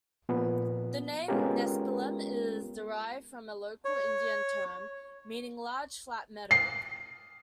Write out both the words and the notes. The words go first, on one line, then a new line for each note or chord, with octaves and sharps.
The name Nespelem is derived from a local Indian term meaning "large flat meadow".
A#2 F3 B3
G#3 B3 C#4 F4 G4 A#4
C#5
C7